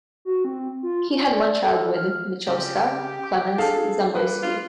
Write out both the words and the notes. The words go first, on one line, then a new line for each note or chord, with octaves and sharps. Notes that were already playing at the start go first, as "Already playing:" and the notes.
He had one child with Michowska, Klemens Zamoyski.
F#4
C4
F4
D5
A4
F6
C#3 G4
D4 G#4 A4 F5 A5
G3 A#3 B4
F4